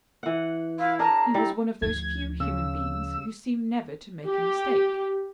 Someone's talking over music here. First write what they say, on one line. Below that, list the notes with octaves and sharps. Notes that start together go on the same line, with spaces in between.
He was one of those few human beings who seem never to make a mistake.
E3 F#5
E4 F5
D4 G#4 A#4 A5 A#5
G3 E4
D2 F3 G#6
C#3 E6
G4